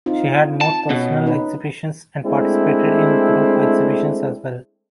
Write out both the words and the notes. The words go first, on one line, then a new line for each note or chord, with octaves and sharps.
She had made personal exhibitions and participated in group exhibitions as well.
C4 D#4 F4
A5
B2 C#4
C#4 D#4 B4
G#3 A3 C4 D4 E4